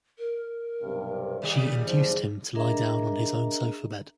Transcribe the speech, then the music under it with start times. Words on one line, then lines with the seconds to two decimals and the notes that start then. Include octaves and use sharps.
She induced him to lie down on his own sofa bed.
0.18 A#4
0.82 B1 G2 C3
1.42 D#2 G3 G#4
1.84 F#1 F3 C5
2.55 D4 G#4 A#4 D#5 E5 A#5